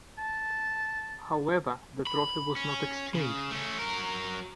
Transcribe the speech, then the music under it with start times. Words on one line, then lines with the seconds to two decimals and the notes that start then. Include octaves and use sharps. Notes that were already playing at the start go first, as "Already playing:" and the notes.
However, the trophy was not exchanged.
0.18 A5
2.07 B5
2.56 C#4
3.15 C#3
3.51 A3 C#4
3.79 F#3 A#4